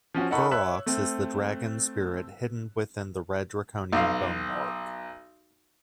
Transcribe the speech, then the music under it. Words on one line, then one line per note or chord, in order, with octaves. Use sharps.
Furox is the dragon spirit hidden within the red draconium bonemark.
F3 C#4 F#4
D#4 A4 A#4 F#5 B5 C#6
C#5 E5 E6 F#6
A3 C4
B1 F5